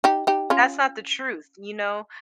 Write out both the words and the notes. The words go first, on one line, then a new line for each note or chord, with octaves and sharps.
that's not the truth. You know,
D#4 G4
D#4 G4
C#4 F4